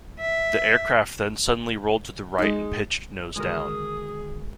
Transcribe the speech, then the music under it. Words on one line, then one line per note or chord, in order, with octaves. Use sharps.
The aircraft then suddenly rolled to the right and pitched nose down.
E5
G#3 D#4
A1 D3 D#3 G#3 F#4 G#4 A#4 D#6